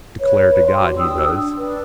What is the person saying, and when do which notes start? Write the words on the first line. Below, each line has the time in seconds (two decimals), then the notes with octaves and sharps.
Declare to God he does.
0.20 B4 C#5
0.65 D5 C6
0.79 F#4 G4
0.98 D4 G5 D#6 E6
1.32 D4
1.58 D4 B4